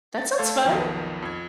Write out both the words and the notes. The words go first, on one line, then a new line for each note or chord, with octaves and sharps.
That sounds fun.
A6
A3 A4 F5 C6 G#6
B1 F2 B2 D#3 F3 F#3
F2 G#6